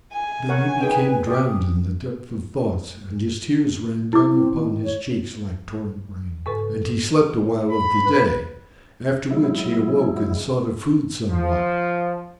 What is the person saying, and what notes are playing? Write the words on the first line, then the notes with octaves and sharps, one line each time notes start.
Then he became drowned in the depth of thoughts and his tears ran down upon his cheeks like torrent-rain; and he slept a while of the day, after which he awoke and sought of food somewhat.
G#5
A#4 C#5 F#5
D#4 G#4 B4 G5
G4 D5 D#6
E4 D6
C4
D#3
C#5
G#2 C#3 A4 B4
B5
B4
C#3 F#3 G#3 A3 E4
F3